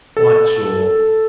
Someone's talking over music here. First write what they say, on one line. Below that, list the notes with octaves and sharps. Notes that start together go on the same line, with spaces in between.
"Quite sure."
A4